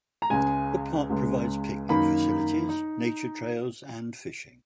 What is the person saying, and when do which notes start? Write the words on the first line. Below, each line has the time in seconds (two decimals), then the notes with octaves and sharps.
The park provides picnic facilities, nature trails, and fishing.
0.22 A#5
0.30 C#2 C#3 G#3 G#5
1.10 C#2 C#3 G#3
1.89 F#2 D#3 A#3 D#4 B5
2.69 D#4